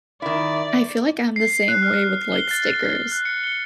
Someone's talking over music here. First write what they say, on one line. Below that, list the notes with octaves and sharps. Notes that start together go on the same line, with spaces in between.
I feel like I'm the same way with, like, stickers.
D#3 E4 D5
C7
F#6
F6
F#6
G7
A6
G7
F#6
C#7
G7